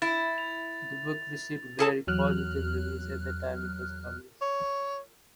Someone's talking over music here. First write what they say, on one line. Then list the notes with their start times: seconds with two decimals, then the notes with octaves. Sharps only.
The book received very positive reviews at the time it was published.
0.02 E4 A6
0.38 F7
1.79 G#4 A4 A5
2.07 E2 F#3 F6 F#6
4.42 C#5